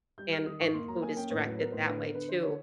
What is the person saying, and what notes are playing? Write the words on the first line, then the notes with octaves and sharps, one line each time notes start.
And and food is directed that way too.
G3 G6
G3 F6
D#3 D#6
G#2 C#6
A#3 C6
F#3 A#5
A#3 G#5
C#4 G5
A2 C#5
F#3 B4
B3 A#4
A2 C5
D3 B4
B3 A#4
D3 B4
D3 C5
C#5